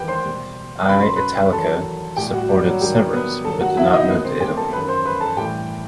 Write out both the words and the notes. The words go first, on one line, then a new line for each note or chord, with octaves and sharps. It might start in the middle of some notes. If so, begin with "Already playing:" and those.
I "Italica" supported Severus, but did not move to Italy.
Already playing: E2 D#3 G3 G4 B4 G5
C5 C6
B2 G3
F#2 F#3 B5
C6
B4 B5
E2 D#3 F#3 A4 A5
A2 G3 G4 G5
F#4 F#5
G3 G4
F#3 F#4
G2 D#3 F#3 G3 G4
B3 B4
G2 D#3 F#3 A4 A5
F#4 F#5
E4 E5
D#4 D#5
G2 D#3 F#3 B3 B4
C4 C5
G4 G5
A4 A5
F#2 D#3 F#3 B4 B5
C5 C6
B4 B5
A4 A5
A2 E3 G3 G4 G5